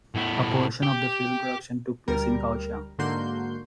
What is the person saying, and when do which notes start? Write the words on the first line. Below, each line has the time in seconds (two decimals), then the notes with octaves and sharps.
A portion of the film production took place in Kaohsiung.
0.15 A2 B3
0.83 G4
2.08 D2 G3 A#4
2.99 G#2 D3 A#3 F#4 C6 G6